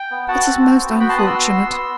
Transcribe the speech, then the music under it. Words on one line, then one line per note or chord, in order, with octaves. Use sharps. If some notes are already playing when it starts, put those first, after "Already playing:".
'It is most unfortunate!
Already playing: G5
B3
F#4 F#5 A5
C4
F#4
B3
F#4 G5 B5
A5 C6
B3 D#6 F#6
C6 E6
F#4
B3
B3